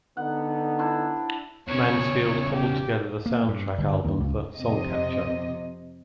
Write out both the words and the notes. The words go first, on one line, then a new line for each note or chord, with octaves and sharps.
Mansfield cobbled together the soundtrack album for "Songcatcher".
D3 B3 D#4 F#5
D4 E4 C5
E2 C#3 C#5
G4
A#3
G2
G1
D#2
C#2
F2 C3 D#5